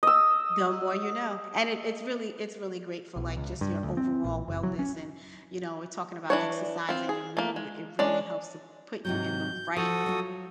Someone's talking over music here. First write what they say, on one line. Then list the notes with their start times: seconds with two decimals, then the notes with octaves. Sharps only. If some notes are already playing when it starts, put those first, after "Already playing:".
The more you know, and it it's really, it's really great for like just your overall wellness, and, you know, we're talking about exercising your mood, it really helps to put you in the right
0.03 D#5 E6
3.16 B1
3.37 C#2
3.61 G2
3.83 D2
3.97 C4
4.24 A#1
4.48 F#1
4.63 F#3
4.79 C#4
6.30 E3 D4 C#5
6.89 C4 F4
7.09 G#4
7.37 A3 A#3
7.56 G#3
7.99 G#3 C#4 D4 D5
9.05 G#2 C3 F#3 G6
9.76 F3 F#4 A4 D#6
10.06 F#3 F4